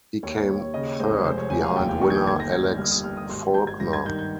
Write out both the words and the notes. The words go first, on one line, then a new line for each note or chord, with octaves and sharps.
He came third behind winner Alex Faulkner.
D#2 C#5
D#2 C#5
C#5
C#3 D#5
C#5
G#3 C5
C#5
F1 C5
C#5
F1 G#5
F5
D#2 G5
G5
D#3 C#6
G#6
G6
G1 G#6
A#6
G1 G#6
G6
G2 F6
D#6
G3 F6
D#6
G#1 C6
G#1 G6
G#6
G2 A#6
G#6
D#3 G6
G6